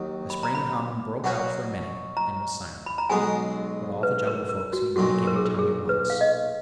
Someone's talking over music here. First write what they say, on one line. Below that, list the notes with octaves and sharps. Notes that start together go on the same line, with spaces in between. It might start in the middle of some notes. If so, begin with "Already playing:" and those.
The spring hum broke out for a minute, and was silent, but all the Jungle Folk seemed to be giving tongue at once.
Already playing: D#2 D#3 F#3
B5
A#5
B5
B2 F#3 C#4 F#4
A#5
B5
A#5
B1 B2 G#3 B3 G#5
B4
A#4
A#4
F#4
B1 A#2 F#3 F#4
A#4
G#4
A#4
G#4
B4
F5
D#5